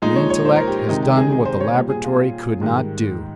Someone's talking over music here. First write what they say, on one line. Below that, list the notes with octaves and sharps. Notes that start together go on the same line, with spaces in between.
The intellect has done what the laboratory could not do!
A#2 F3 G#3 D#4
C#5
C#5
C5
A#4
G4
G4
C3 D#3 G#3 D#4
G4
G#4
G#4
C5
C#5
A#2 G3
G#4
F4
G#2 D#3 G3